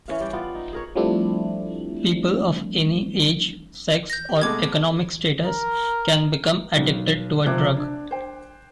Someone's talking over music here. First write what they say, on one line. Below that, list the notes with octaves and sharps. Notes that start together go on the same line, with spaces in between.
People of any age, sex or economic status can become addicted to a drug.
E3 C#4 F5
G3 D5 G5
B3 F4 D5
D#4
G#4 A#4 C#5
F3 G3 A3 C4 D4 E4
G6 A#6
G4
B2 G#3 A3 D6 G#6
A#4
B1
C3 F3 C5 D6 F#6 G#6
D4
C5 G5